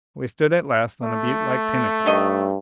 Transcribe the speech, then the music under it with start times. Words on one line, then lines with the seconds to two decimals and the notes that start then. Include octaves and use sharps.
We stood at last on a buttelike pinnacle.
1.03 A3
2.06 G2 D#3 C#5 D#5